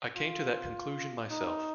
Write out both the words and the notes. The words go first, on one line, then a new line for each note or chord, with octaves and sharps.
I came to that conclusion myself.
F4
D#4